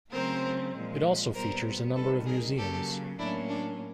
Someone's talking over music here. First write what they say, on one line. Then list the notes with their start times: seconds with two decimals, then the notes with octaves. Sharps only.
It also features a number of museums.
0.11 C#3 F#3 A3 C4 A#4 C5
0.73 A#2 F3 G#3
1.34 A#2 G3 B3 A#4 C5
1.96 C3 D#3 G3 A4 B4
2.26 G#4 A#4
2.57 C#3 F#3 A#3 G4 A4
3.18 A2 F#3 A#3 C#4 D4 E4
3.49 D4